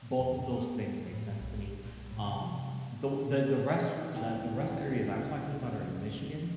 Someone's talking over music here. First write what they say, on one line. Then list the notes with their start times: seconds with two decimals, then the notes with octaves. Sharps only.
both of those things make sense to me. Um, th the rest the the rest areas I'm talking about are in Michigan,
0.20 F2
0.57 B3
1.13 A2
1.41 B1
1.86 A#2
2.11 A2
2.24 C3
4.15 C#2 E3 G5